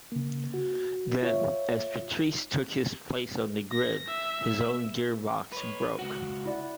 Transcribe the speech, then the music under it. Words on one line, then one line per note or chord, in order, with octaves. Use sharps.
Then, as Patrese took his place on the grid, his own gearbox broke.
C#3 A#3
F#4
F4 C#5 E5
A#6
E5
B4 C#5
C#2 F#4
E4 D5